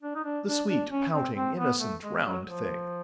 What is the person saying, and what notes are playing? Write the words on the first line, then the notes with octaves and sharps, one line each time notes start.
The sweet, pouting, innocent, round thing!
D4
D#4
D4
D4
D4
C#4
C4
C4
B3
A3
G#3
F#3
F3